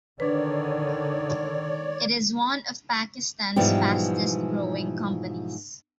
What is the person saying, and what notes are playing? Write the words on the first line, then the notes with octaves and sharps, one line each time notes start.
It is one of Pakistan's fastest growing companies.
D3 D#3 D4 B4 C#5 D5
G#2 B2 E3 F3 G3 G4